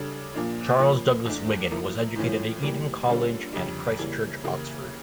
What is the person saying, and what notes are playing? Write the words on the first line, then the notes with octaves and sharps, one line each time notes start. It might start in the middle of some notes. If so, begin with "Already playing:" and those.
Charles Douglas Wiggin was educated at Eton College and Christ Church, Oxford.
Already playing: C#3 G3 D4 A4
A#2 F3 A#3 D4 F4
F3 A#3 C#4 F4
E2 E3 A3 D4
F3 A#3 E4 A#4
A2 E3 A3 C#4 F4
E3 G3 A#3
D3 G3 A#3 C#4 F4
F2 C#3 G3 D4
C#3 E3 G3 A#3 E4
C#3 E3 A#3 E4 G4